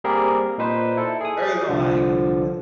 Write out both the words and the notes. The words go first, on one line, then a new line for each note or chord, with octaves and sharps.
early on, I ain't care about it.
G3 A#3 C4 G4 G#4 A#4
A#2 D#4 B4 C5
E4 A4
G#4 D#6
C2 D3 F3